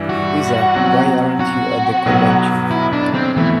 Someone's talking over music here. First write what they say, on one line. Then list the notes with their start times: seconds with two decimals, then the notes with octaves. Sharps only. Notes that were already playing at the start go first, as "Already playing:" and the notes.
Lisa, why aren't you at the convention?
Already playing: G2 E3 G3 D4
0.09 F#4
0.74 B2 F#3 C4
1.40 F#4
2.06 B1 B2 F#3 B3
2.71 E4
2.93 D4
3.14 C4
3.36 B2 E3 A3